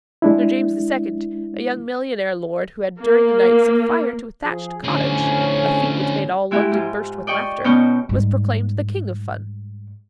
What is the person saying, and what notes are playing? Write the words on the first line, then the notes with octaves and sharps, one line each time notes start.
Under James II. a young millionaire lord who had during the night set fire to a thatched cottage--a feat which made all London burst with laughter--was proclaimed the King of Fun.
G#3 D4 E4
A#3
F3 G#4
F2 A2 D3 C4 C#4
G#3 E4 F#4 G4
G#2 F4
D5 D#5 G5 C#6
B2 C#4 D#4 C#6 G6
G#2 G3